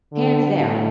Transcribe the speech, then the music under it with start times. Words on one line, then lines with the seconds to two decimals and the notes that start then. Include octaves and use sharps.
hands down,
0.13 D3
0.59 A2